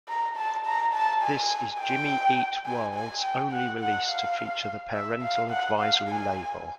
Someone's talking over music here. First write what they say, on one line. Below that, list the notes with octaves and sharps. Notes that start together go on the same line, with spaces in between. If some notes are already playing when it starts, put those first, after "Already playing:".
This is Jimmy Eat World's only release to feature the "Parental Advisory" label.
A#5
A5
A#5
A5
G#5
G5
G#5
G#5
G5
F#5
F#5
F5
E5
F5
F#5
F5
G#5